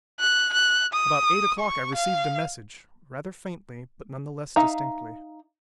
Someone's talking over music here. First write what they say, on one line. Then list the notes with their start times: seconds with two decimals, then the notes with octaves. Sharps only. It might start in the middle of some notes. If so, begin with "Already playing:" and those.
About eight o'clock I received a message, rather faintly, but none the less distinctly.
0.20 F#6
0.53 F#6
0.93 D#6
1.59 C#6
1.95 F5
4.56 D#4 E5 F5 A#5